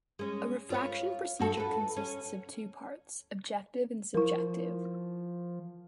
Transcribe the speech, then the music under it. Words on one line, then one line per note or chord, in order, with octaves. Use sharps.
A refraction procedure consists of two parts: objective and subjective.
G#3 C#4
F4 B4 C#5
G2 F#4 A4
A4 B4
C#4
F3 E4 A#4